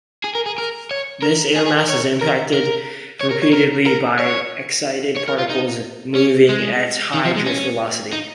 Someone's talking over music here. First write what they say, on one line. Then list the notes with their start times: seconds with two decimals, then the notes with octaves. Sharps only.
This air mass is impacted repeatedly by excited particles moving at high drift velocity.
0.24 G#4
0.35 A#4
0.46 G#4
0.58 A#4
0.91 C#5
1.23 A#4
1.56 G#4
1.66 G#4
1.78 A#4
1.89 C#5
2.21 A#4
2.54 A#4
3.21 C#5
3.31 A#4
3.42 C#5
3.53 A#4
3.86 A#4
4.19 C#5
5.16 C#5
5.28 A#4
5.39 F4
5.50 D#4
6.15 C#4
6.49 G#3
7.14 D#3
7.25 F3
7.36 G#3
7.46 C#4
8.13 D#4